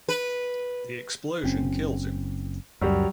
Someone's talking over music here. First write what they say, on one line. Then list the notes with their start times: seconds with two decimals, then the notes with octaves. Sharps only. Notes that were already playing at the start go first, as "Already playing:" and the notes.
The explosion kills him.
0.09 B4
1.44 F#1 C4 C#4
2.81 C#2 F#2 F#3 G3